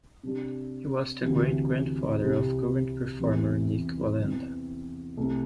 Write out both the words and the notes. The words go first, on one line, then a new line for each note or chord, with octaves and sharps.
He was the great-grandfather of current performer Nik Wallenda.
C3 G3 D4
D2 C3 E3
C2 C3 G3
E2 C3 E3 C4
E2 E3 C4
C2 C3 A3